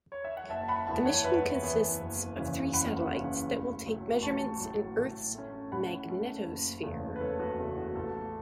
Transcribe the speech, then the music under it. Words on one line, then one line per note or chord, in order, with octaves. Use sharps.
The mission consists of three satellites that will take measurements in Earth's magnetosphere.
C#5
E5
F#5
F#1 E5 A5
A5
F#5 B5
E2 E3 B3 E4 E5 A5
C#5 F#5
F#1 B4 E5
E2 E3 B3 E4
F#1
E2 C#3 E3 C#4
F#1 F#5 B5
E2 C#3 E3 C#4
A1
A2 F#3
A1 A5 C#6
A2 F#3
A2
A3 C#4
A2 F#5 B5
A3 C#4
F#1
E2 C#3 A3
B4
F#1 A4 C#5
F#4 B4
E2 C#3 A3
F#4
A1 A4